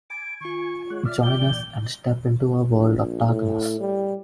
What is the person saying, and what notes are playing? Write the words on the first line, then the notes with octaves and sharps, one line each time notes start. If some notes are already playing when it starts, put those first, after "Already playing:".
Join us and step into our World of Darkness!
G#5 B5 D6 A6 D7
D#3 F4 C#6
G#3 C#5 F#5
D5 E5 F6
A#2 D5 G5 G7
E3 A#3 C#4
A#1
A2
G3